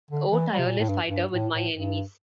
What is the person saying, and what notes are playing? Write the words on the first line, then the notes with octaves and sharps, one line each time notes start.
O tireless fighter with my enemies!
D3
E3
G3
C3
A#2
A2
G2
G2
A2
A2
G2